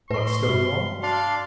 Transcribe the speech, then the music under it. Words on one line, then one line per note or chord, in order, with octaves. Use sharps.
What stone wall?
A2 B4 C6 C#6
G2 F#4
D4 D5 F5 C6